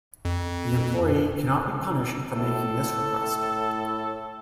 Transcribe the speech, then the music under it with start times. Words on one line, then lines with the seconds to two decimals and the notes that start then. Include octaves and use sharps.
The employee cannot be punished for making this request.
0.25 F2
2.35 A2 A4